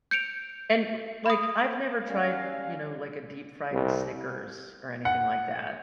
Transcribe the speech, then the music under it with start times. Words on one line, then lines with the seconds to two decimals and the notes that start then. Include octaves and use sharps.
And, l like, I've never tried, you know, like, a deep-fried Snickers or anything like that,
0.11 G6 C#7 D7 F7
1.26 B5 D#6
2.03 G3 C#4 F5
3.71 C2
5.05 F#5